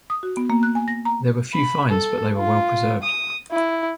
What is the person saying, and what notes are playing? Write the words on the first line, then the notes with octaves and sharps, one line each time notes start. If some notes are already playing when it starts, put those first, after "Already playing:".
There were few finds but they were well-preserved.
D#6
F#4
B3
A#3
F#6
G#5
A#6
A#5
B5
A4
F4
D#6
E4